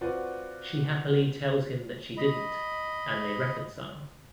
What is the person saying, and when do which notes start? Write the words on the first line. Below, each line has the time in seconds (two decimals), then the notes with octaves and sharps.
She happily tells him that she didn't and they reconcile.
0.01 C4 F4 F#4 B4 C5 D5
2.17 D#5 B5